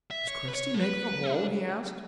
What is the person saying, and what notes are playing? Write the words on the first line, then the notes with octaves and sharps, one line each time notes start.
"Does Cresty make the hole?" he asked.
E5
C#5
B4
C#5
A4
B4
D4